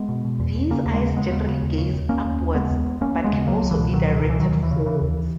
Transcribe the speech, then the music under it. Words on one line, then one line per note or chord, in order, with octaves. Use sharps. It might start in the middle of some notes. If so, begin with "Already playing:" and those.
These eyes generally gaze upwards, but can also be directed forwards.
Already playing: G#3 B3
B2
B2
E2
E2
C#3 A#3 C#4
D#2
G#3 B3
C#3
D#2 G#3 B3
C#3
C#3
D#2
C#3
D#2
D#2 A#3 C#4
D#2
D#2
C#3 G#3 B3
D#2
D#2
D#2 A#3 C#4
D#2
G#3 B3
C#3
C#2 F#3 A#3
C#2
E3 G#3
B2
C#2 D#3 F#3
B2
D#3
C#2
E3
D#2 D#3 F#3
D#2
E3
C#3
C#3 E3
D#2